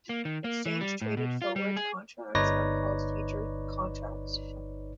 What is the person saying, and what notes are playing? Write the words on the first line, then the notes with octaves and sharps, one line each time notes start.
Exchange traded forward contracts are called futures contracts.
A#3
D#3
A#3
E3
G3
A2
B2
F4
G3
G#4
G1 D#4 B4 C#5 D5 A#6